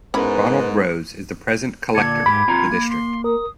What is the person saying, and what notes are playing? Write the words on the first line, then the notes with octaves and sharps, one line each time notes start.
Ronald Rose is the present collector of the District.
G#2 B3 C#4 E4 A#4 B4 B5
A#2 D3 A4 G#6
G#2 G4 B5
C4 F4 A#5
A#3
C6
A#4 D#6